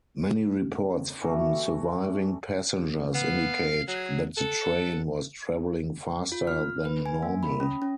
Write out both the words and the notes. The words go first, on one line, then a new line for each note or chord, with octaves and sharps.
Many reports from surviving passengers indicate that the train was travelling faster than normal.
E3 G3 A3 F#4
B3 F5
F#3 G#4
A4 F#5
F4
F6
B4
G#5
A#3
B5
C#4
C#4